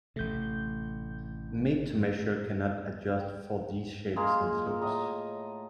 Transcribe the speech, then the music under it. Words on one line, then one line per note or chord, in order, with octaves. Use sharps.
Made-to-measure cannot adjust for these shapes and slopes.
A1 C3 A3 G6
F#2
G5
G#3 A#3 F4
A2 D#5 A#5